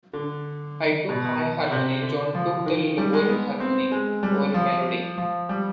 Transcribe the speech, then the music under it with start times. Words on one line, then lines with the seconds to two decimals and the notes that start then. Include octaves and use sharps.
I took the high harmony, John took the lower harmony or melody.
0.14 D3
1.09 B2
1.25 B2
1.71 C3
2.03 D3
2.35 F3
2.66 D#3
2.98 G3
3.13 G#3
3.29 B3
3.60 C4
3.91 G#3
4.23 G3
4.54 F3
5.18 F3
5.49 G3